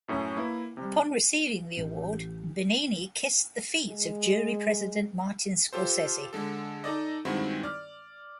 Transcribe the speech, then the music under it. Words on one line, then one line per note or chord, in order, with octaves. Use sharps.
Upon receiving the award, Benigni kissed the feet of jury president Martin Scorsese.
F#2 A2 C#4
A#3 E4 B4
C3 G3
A1
G#3
F4 G4 A4 C5
D3 G#3 A4
D#4 A4 D5 D#5
G2 D#3 G#3 C4 E4 F#4
D5 F6